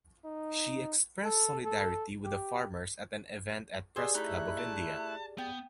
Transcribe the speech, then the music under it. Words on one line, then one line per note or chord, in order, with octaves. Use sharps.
She expressed solidarity with the farmers at an event at Press Club of India.
D#4
A4
A4
G4
G4 G#4 C5 D5 D#5 G#5 C6 E6
A3 D#4 E4 B5 F#6
A5
B3 G5